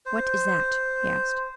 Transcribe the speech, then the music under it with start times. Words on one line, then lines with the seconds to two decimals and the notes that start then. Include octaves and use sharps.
"What is that?" he asked.
0.05 C5